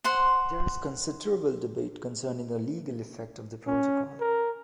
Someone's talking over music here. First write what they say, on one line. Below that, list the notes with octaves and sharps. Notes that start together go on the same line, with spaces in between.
There is considerable debate concerning the legal effect of the protocol.
C5 F#5 C6
C#4
A#4